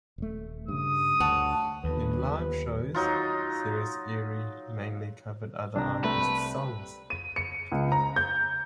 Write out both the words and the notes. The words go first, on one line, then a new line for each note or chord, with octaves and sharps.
In live shows, Cyrus Erie mainly covered other artists' songs.
D#1 A3
G2 C#3 D#6
D2 C#5 F#5 A5
G1 D#2 B4
F#3 D#4 F4
C2 C4 D4 A#5
A3 B4
D#7
C#7
C#2
A#5
G6